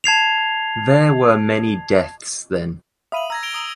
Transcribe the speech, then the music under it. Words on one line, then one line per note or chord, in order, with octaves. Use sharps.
There were many deaths then.
A5 G#6 C7 F7
E5 F5 B5 D#6 D#7 F#7
A#5 E6 G#6 A#6
D7 F7 G7
D#6 E6